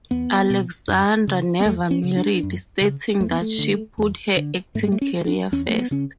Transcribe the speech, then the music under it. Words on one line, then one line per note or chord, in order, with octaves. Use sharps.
Alexander never married, stating that she put her acting career first.
E2 B3
B2
F#2
C#3
B3
E2 A3
C#4
C#3
D4
F#2
C#3
E2 A3
B3
A3
D3
E2
D3
G#2 A3
G#3
A3
C#4
D4
E2 C#4
A3
B3
C#3 C#4